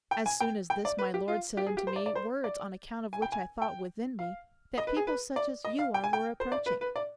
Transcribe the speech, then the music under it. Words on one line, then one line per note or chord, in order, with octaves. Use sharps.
As soon as this my Lord said unto me Words, on account of which I thought within me That people such as you are were approaching.
G5
G#5
G5
G5
D5
B4
G4
F4
G4
G#4
G4
C5
D5
D5
C5
D5
G#5
G5
G#5
G5
F5
D#5
B4
G#4
B4
D5
D#5
F5
G5
G#5
G5
C5
D5
B4
B4
D5